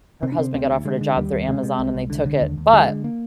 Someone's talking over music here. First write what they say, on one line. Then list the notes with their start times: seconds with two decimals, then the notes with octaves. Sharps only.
her husband got offered a job through Amazon and they took it, but
0.23 C3 C4
0.32 D4
0.39 C3 C4
0.54 D2 C4
0.70 D2
0.85 D3 G#3
1.01 D3
1.17 D#2 G3
1.33 D#2
1.48 C3 G#3
1.63 C3
1.79 C2
1.95 C2
2.10 D3
2.26 D3
2.41 D#2
2.57 D#2
2.73 D3 G#3
2.88 D3
3.04 A#3